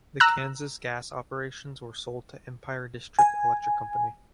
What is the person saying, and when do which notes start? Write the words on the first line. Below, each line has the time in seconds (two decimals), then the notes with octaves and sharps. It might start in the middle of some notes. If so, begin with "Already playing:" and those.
The Kansas gas operations were sold to Empire District Electric Company.
0.20 A#5 E6 F#6
3.19 G#5